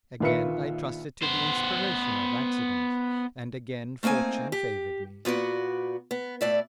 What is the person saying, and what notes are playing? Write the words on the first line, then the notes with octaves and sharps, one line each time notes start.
Again I trusted to the inspiration of accident, and again fortune favoured me.
A#1 D#3 F4 B4 E5 C#7
B3 C5
A3 A#3 C4 D#4 G#5
G4
A#2 B3 F#4 D5
B3
A2 D5 E5